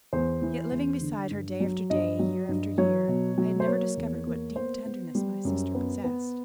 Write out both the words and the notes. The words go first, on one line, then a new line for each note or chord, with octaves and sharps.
Yet, living beside her day after day, year after year, I had never discovered what deep tenderness my sister possessed.
E2 C5
E3
E2
D3
G2
F#3
G2 D#5
F#3
G2
F#3 C#5
B2
F#3
C5
A#3 C#5
E2
A#3
B3 C5
B3
G3
F#2
B3
B3